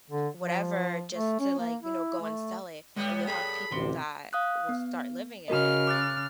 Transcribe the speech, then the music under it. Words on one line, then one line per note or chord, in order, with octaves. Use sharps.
whatever, just to, like, you know, go and sell it, or you'll have people that will start living in it,
D3
F3
A3
C#4
A#3
E4
A3
A2 G3 G#3 B3
G#4 A4 B5
A1 D2 C3 C6
F5 D#6 F#6
B3
C#3 F#4 A#4 D#5 F6
D6 F#6 A6